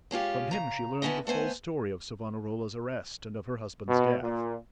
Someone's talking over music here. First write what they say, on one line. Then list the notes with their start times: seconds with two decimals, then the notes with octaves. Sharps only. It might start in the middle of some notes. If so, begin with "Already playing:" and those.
From him she learned the full story of Savonarola's arrest, and of her husband's death.
0.11 G#3 C#4 F4 G4
0.51 C#3 A#5
1.02 D3 B3 C#4 E4 D#5
1.27 A3 B3 C5 G#5
3.88 B2
4.23 A#2